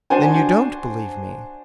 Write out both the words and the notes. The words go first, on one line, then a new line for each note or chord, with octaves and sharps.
"Then you don't believe me?"
D4 F#4 C5 G#5